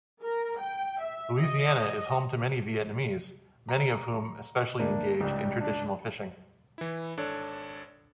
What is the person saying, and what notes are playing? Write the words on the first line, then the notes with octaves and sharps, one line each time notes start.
Louisiana is home to many Vietnamese, many of whom especially engaged in traditional fishing.
A#4
G5
E5
D#5
A#5
D2 A#3 D4
C#2 G#2 G3
D4
E3 E4
G#1 D4 A4 C#5